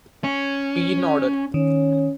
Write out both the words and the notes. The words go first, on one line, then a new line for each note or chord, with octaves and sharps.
Be in order.
C#4
D#3 C#4